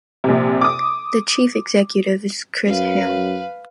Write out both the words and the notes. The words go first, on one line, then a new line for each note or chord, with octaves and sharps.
The Chief Executive is Chris Ham.
A#1 C3
D6 D#6
F#2 B4 F5